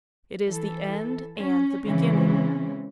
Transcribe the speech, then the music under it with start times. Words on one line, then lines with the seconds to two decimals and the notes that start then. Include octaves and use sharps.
It is the end and the beginning.
0.47 E3 A4
1.38 C#4
1.84 C#3 E3 G#3 C4 C#4